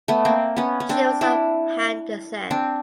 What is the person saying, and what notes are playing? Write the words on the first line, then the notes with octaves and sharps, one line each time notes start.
She was of Han descent.
A3 B3
A#3 C4
B3 C#4
C#4
C4 D4
D4 E4
C4 D4